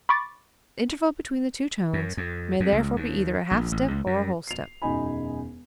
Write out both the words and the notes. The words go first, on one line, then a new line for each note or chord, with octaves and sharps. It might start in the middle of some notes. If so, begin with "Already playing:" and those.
The interval between the two tones may therefore be either a half-step or a whole-step.
B5 C#6 D6 A6
F#2
F2
F2
C#2
D#2
A#1
A1
C#2
F#2
C7 F7
E1 F#2 D#4 G#5 B5